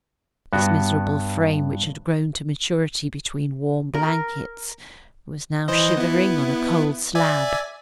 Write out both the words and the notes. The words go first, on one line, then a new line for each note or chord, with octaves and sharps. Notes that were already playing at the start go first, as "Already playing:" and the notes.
This miserable frame, which had grown to maturity between warm blankets, was now shivering on a cold slab.
G2 B3 F#4
A#4
E3 C5 D#5
B3 E4
D5 E5 G#5